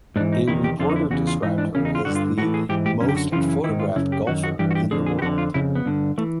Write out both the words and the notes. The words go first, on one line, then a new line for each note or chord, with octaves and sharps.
A reporter described her as the "most photographed golfer in the world".
G#2 E3 D4
D#4
E2 C3 D#3 E4
G4
F2 D3 F4
D#4
E4
E2 C#3 E3 F#4
F4
G#2 E3 D#4
D4
E2 C#3 C#4
D#4
F4
G2 D3 F#4
F4
A2 E3 F#4
G#4
G#2 E3 G4
G4
F#2 D3 C#4
G4
F#4
F#2 C#3 E3 F4
E4
D#3 E4
G#2
F4
F#2 C#3 E4
G4
F#2 D#3 F#4
F#4
G2 E3 G4
F#4
G4
F2 D3 G#4
G#4
G4
F2 D3 F#4
F4
F2 C#3 E4
B3
G2 D3
E3 A3